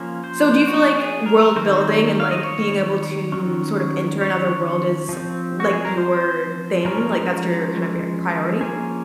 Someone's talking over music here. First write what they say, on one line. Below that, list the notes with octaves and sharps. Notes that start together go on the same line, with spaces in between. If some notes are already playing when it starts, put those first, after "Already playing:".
So do you feel like world building, and, like, being able to sort of enter another world is, like, your thing, like, that's your kinda prio priority?
Already playing: F3 A#3 C#4
C5
F#4
G#4
A#4
D#3 F#3 C4 C5
F5
D#5
C#5
D#3 F#3 C#4
C#5
F3 C4
F#4
G#4
A#4
C5
F3 G#3 C#4 A#4
F3 A#3 C#4 G#4